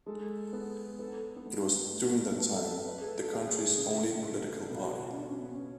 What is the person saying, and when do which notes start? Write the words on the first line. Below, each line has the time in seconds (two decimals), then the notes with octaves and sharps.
It was, during that time, the country's only political party.
0.06 G#3 A4
0.53 B3
0.99 B3 A4
1.36 B3
1.46 A3
1.92 A3
2.08 A3
2.23 B3
2.38 A3 A4
2.62 A4
2.85 B4
3.01 G#4
3.08 A4
3.32 G#4
3.78 C#3
4.24 A4
4.40 A4
4.55 A4
4.70 B2 B4
4.82 F#4
4.95 F#4
5.05 F4
5.12 C#4
5.17 D4
5.28 C#4
5.40 B3
5.52 C#4